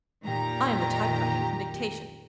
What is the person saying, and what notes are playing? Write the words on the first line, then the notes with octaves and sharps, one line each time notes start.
'I am the typewriting from dictation.
F2 A#2 D#3 G4 A#5